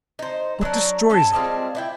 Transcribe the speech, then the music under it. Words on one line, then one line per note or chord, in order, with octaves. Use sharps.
What destroys it?
D#4 C5
F#3 D4 A#4
C#4 A4
G3 G#3 C4 F4
D4 E4 G5